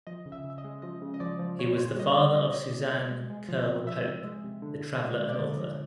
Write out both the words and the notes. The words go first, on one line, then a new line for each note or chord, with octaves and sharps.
He was the father of Suzanne Kyrle-Pope, the traveller and author.
F3 D#5
C#3
E5
C#3
E5
D#5
G#3
F3 D#5
C#3
D#5
F3 D5
F3
A#2 C#5
A#2 C5
G3 D#5
D5
G3 C#5
G3 D#5
D5
G3 D#5
A#2
A#2
G#3
G#3
F3
C3
F3 E5
C3
G#3
C3
D3
D3
G#3
G#3
D5
D3 D#5
F3